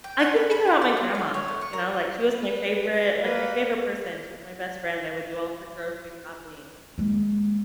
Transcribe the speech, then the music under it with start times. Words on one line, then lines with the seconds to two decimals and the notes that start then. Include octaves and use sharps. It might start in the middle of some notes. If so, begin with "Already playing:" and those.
I keep thinking about my grandma, you know, like, she was my favorite, like, my favorite person, she was my best friend, I would do all of her grocery shopping,
0.04 G5
0.19 F#5
0.36 B5
0.51 B5
0.67 C5
0.82 D5
0.97 F4
1.15 F5
1.34 C#5
1.48 A3
1.62 C#6
1.73 A#4
2.32 B4
3.21 A#3 B4
6.98 G#3 A#3